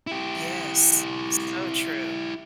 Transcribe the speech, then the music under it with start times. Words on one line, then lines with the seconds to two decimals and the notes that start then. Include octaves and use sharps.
Yes, so true.
0.07 E4 G4